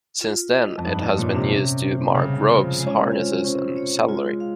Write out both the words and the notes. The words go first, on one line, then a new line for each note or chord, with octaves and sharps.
Since then, it has been used to make ropes, harnesses and saddlery.
F4
D#5
F2
G2 D#4
G2
A#2 C#5
C3
C3 C#4
C5
C#3 G3
F4
F3
G#3
C#4
C4
C#4
F4
C4 C#4
C#5
G#3 F4
F5